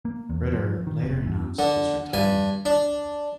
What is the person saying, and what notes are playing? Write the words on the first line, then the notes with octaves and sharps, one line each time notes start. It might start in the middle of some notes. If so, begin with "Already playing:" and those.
Ritter later announced his retirement.
A#3
E2
F3
D#3
F1
E2
D3
G2 G#5
D4